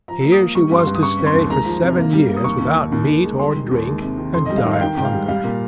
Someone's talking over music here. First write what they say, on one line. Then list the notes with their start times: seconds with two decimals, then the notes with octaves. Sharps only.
Here she was to stay for seven years without meat or drink, and die of hunger.
0.08 F3 A#5
0.24 A#3
0.32 D#6
0.40 A#3
0.55 G3 C#6
0.72 G2
0.79 C6
0.87 G2
0.95 D#6
1.03 C#3 C#6
1.18 C4
1.26 C6
1.35 D#2
1.50 G#3 A#5
1.65 F3
1.81 C3
1.98 A#3
2.13 G3
2.29 A#3
2.36 D#6
2.44 D#2 C#6
2.60 D#2
2.76 D#3
2.92 D#2
3.08 D#2
3.24 G#3
3.39 G3 C6
3.54 D#3
3.71 D#2
3.87 G#3
4.02 C3
4.18 D#3
4.34 F2 C6
4.45 D#5
4.50 G3
4.57 F5
4.65 D#3
4.73 F5
4.81 D#3 G5
4.97 G#2 G5
5.05 F5
5.13 G3
5.28 G3 F5
5.44 A#2